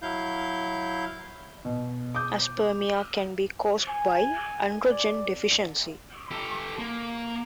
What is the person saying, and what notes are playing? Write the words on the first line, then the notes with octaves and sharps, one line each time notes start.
Aspermia can be caused by androgen deficiency.
F#3 E4 F5 G6
B2
D6 D#6 G6
G#5
D5
G4 A4
A#3